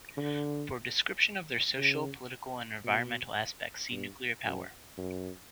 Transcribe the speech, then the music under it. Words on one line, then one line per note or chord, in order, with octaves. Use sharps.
For a description of their social, political, and environmental aspects, see nuclear power.
D3
C#3
B2
G2
F#2
F#2